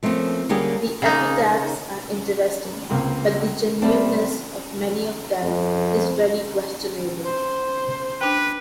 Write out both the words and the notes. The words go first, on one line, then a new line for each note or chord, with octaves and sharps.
The epitaphs are interesting, but the genuineness of many of them is very questionable.
F3 A3 A#3 C4 C#4
D3 G3 A#3 C#4 G4 G#4
C#3 A#3 D#4
C#2 A#3 C4
G3 A3 C4 A5
F2
C5
D4 B4 G5